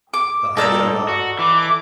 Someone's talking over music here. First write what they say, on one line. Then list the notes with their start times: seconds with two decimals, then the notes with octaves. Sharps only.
The eyes are dark.
0.14 D6
0.57 G2 A4 D5 D#5 A5 A#5 E6
1.09 F#4
1.39 E3 D6